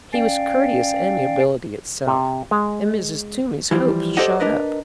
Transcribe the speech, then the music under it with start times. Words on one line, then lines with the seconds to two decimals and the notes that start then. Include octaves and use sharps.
He was courteous amiability itself, and Mrs. Toomey's hopes shot up.
0.13 C#4 D5 F5 G5
2.07 C3
2.51 G#3
3.71 E3 F3 G3
4.17 G4 A4 C5 D5 D#5 F#5
4.40 D4 A#4 B4 D#5